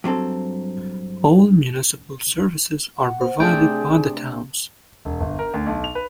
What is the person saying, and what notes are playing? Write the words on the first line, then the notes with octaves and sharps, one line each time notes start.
All municipal services are provided by the towns.
G2 F#3 C4 A4
F#5
C5
C3 A3 D4 G#4 G5
E1
G1
A#4
D2
B1
F7
B4